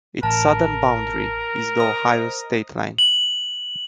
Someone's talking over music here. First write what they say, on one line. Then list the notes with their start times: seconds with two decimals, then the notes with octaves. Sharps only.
Its southern boundary is the Ohio state line.
0.23 A1 A#4 A5
1.80 C5 D#5 D#6
2.98 F#7